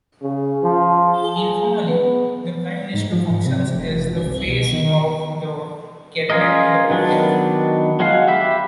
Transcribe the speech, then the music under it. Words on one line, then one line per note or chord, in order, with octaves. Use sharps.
Informally the Prime Minister functions as the "face" of the cabinet to the public.
C#3
F3
G#4
B3
G#2
F3
G#2
C3
F1
G#1
C2
B2
D#3
C#4 F4 G#4 A#4 D#5
D#3 F#3 B3 D4
F#3 G#3 F#4 F5
G4 E5 B5